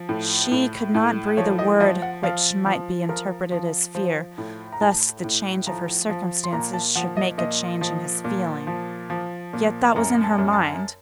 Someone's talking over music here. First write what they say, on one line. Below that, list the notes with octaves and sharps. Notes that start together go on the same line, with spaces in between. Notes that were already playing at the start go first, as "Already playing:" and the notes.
She could not breathe a word which might be interpreted as fear lest the change of her circumstances should make a change in his feeling. Yet that was in her mind.
Already playing: F3
A2
A2
A2
F3 C#5
D#5
F3 D#5
F#5
F3 F5
F3
F3 A#4
F3
F3 C5
A2
A#5
A2 A5
A2
F3 A#5
F3
C6
A#2 A#5
A5
F3 F#5
D#5
A#2 D#5
F3
A#2
F3
F3
A#2
F#2 A#5
A5
F#2
A5